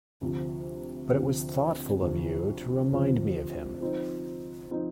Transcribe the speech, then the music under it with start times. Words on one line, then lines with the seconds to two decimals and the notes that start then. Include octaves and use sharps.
But it was thoughtful of you to remind me of him.
0.21 D2 C3 F3
1.11 D2 C3 F3
2.01 D2 C3 F3
2.92 D2 C3 F3
3.81 F3 C4 D#4
4.71 F3 C4 D#4